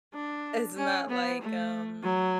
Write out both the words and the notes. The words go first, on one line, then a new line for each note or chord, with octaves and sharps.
it's not like, um,
D4
C#4
B3
A3
F#3